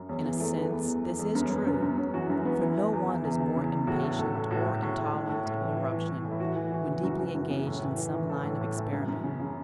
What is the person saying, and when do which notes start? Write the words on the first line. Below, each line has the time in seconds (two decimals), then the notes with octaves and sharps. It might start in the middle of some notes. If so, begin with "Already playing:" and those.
In a sense this is true, for no one is more impatient or intolerant of interruption when deeply engaged in some line of experiment.
Already playing: F#2
0.09 E2 C#4
0.25 E3
0.40 E2 A3
0.56 E2 B3
0.72 E3 B3
0.88 E2
1.03 E2
1.19 E2
1.35 F#2 B3
1.44 C#4
1.51 F#2 B3
1.67 F#2 B3
1.82 F#2
1.98 F#2 C#4
2.13 E3 F#4
2.30 F#2
2.45 F#2 B3
2.61 E3 E4
2.77 E3
2.93 E2
3.09 E3
3.24 E2
3.40 E3
3.56 C#3
3.72 E2
3.87 A2 F#4
4.03 A2
4.19 A2 A4
4.35 A2
4.51 A2 F#4
4.66 A2
4.82 A2
4.98 A2
5.14 A2
5.29 A2
5.46 A2
5.61 E3
5.77 E3
5.92 E3
6.08 E3
6.24 A2
6.31 E4
6.40 E3 F#4
6.56 E3
6.72 E3
6.88 C#3
7.03 F#2 F#4
7.19 E3
7.35 F#2
7.50 C#3
7.67 A2
7.82 E3
7.98 E3
8.14 E3
8.29 A2 A4
8.46 A2
8.61 A2
8.77 E3
8.92 F#2
9.08 F#2
9.24 C#3
9.40 C#3